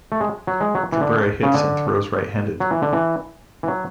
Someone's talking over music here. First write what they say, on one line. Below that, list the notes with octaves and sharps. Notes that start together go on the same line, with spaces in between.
Cabrera hits and throws right-handed.
A3
G#3
F#3
G#3
F#3
E3
D3
C#3
D3
F#3
E3
D3
E3
E3
F#3